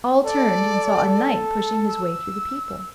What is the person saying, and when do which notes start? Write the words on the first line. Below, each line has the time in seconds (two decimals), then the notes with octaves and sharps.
All turned and saw a knight pushing his way through the people.
0.25 A4 D5
1.88 E6